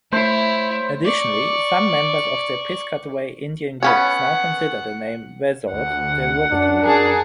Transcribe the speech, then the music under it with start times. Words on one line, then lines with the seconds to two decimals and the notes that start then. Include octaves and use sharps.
Additionally, Some members of the Piscataway Indian groups now consider the name Wesort derogatory.
0.13 A3 E4 C5 C#5
1.05 D5 C#6
3.83 B3 C#4 C#5 F#5
5.72 D2 F#5
6.51 F#2 D4
6.85 F#2 G#4 A#4 A5